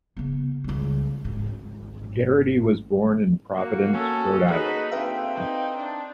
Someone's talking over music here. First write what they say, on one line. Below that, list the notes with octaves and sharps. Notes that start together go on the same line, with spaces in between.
Gerety was born in Providence, Rhode Island.
C#3 B3
C#2 G3
G#1 G#2
A#3 F#4
A#3 C#4 A4
D#4 F#4 G#4 B4
D3 C4 B4 E5 F5 G5
D#4
D4